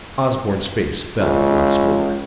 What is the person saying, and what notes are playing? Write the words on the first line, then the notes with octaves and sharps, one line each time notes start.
Osborne's face fell once more.
C#2